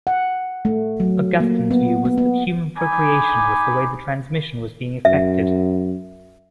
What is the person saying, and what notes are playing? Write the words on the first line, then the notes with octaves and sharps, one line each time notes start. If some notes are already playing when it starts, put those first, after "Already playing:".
Augustine's view was that human procreation was the way the transmission was being effected.
F#5
A3
F#3
A#3
B3
B3
B3
D#4 G#5 B5 D6
F#2 E5